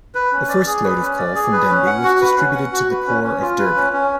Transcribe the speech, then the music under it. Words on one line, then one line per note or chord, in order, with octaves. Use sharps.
The first load of coal from Denby was distributed to the poor of Derby.
B4
C#4
D5
G#4
B4
C#4
D5
G#4
B4
C#4
F#5
F#4
B4
C#4
F#5
F#4
B4
C#4
C#4
F4
B4
C#4
C#4